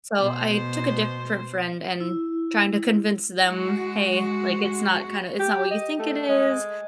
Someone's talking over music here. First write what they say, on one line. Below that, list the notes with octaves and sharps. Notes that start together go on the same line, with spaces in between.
So, I took a different friend, and trying to convince them, "Hey," like, "it's not kinda it's not what you think it is,
B2 C5
E4
G#3 F#4
G4
D#5
A3
G#3